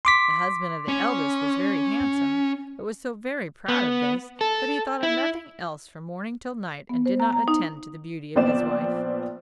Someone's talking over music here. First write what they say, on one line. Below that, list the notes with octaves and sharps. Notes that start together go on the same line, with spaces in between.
The husband of the eldest was very handsome; but was so very proud of this, that he thought of nothing else from morning till night, and did not attend to the beauty of his wife.
C6 D6 B6
C#4
B3
A4
E4
B3
C5
A#5
A#5
D#4
A#1 B3 C4 D5 E7